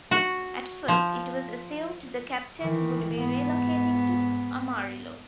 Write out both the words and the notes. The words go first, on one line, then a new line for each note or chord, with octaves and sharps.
At first it was assumed the Captains would be relocating to Amarillo.
F#4
F3
D#3 E3
G#2 B3